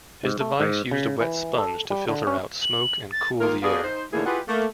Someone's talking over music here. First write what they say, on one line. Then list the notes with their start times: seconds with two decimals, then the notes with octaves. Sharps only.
His device used a wet sponge to filter out smoke and cool the air.
0.24 G#2
0.41 A3
0.60 G#2
0.91 C#3
1.20 E3
1.58 A4
1.90 G3
2.08 D3
2.27 C#4
2.62 F#7
3.12 A6
3.41 D#3 A#3 F4 A#4
3.63 B3 F#4 G#4 A4 D5 F5
3.84 D#4 C5
4.13 D#2 A2 D3 E3 A#3 G#4
4.26 E4 F4 G4 G#4 B4 F#5
4.48 A3 A#3